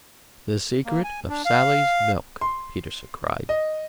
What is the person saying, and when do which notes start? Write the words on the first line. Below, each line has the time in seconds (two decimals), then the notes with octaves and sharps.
"The secret of Sally's milk," Peterson cried.
0.85 A#3
1.04 G#5
1.29 D4
1.45 F5
2.41 C6
3.49 D#5